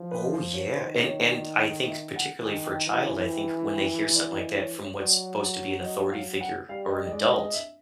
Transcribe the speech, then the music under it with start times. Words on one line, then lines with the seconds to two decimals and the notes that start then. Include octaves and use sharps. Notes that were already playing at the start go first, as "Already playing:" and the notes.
Oh, yeah, and and I think particularly for a child, I think when they hear something like that from what's supposed to be an authority figure or an adult,
Already playing: F3
0.11 B4
0.33 C5
0.54 C#5
0.71 B4
0.75 D#3 C5
1.04 C#5
1.32 D5
1.60 D#5
1.88 E5
2.16 F#5
2.45 D#3 G#5
2.66 G5
2.87 E3 G5
3.09 G#5
3.30 G5
3.72 G5
4.15 D5
4.29 D5
4.36 D#5
4.57 C#5
4.78 C#5
5.00 F#3 D5
5.84 D#5
6.12 F5
6.41 F#5
6.69 G3 F5
6.90 D#5
7.05 D#5
7.11 G#3 D5
7.32 D#5
7.43 D#5
7.54 E5